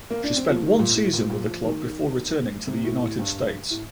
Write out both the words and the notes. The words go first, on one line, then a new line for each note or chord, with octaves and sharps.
She spent one season with the club before returning to the United States.
A#3
D4
C4
F3
D#3
A#2
A2
A#2
A#2
F3
D#3
C3
A2
A2
G2
A2